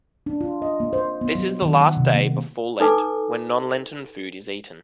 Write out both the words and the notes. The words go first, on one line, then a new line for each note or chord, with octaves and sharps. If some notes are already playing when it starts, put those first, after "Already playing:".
This is the last day before Lent when non-lenten food is eaten.
D4
F4
D#5
A#3
C5
B3
F#3
D#3
F#5
C3
A#3
D#4 A4 B4 G#5 D6